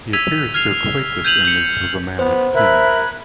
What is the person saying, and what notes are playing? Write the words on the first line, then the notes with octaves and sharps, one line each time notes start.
He appears to equate this image with the Man of Sin.
E6 G#6 B6 D#7 F7
F6 G#6 C7 F7
G6 G#6 D#7 F7 F#7
G6 C#7
B3 C5
A#4 E5 B5 F#6 G#6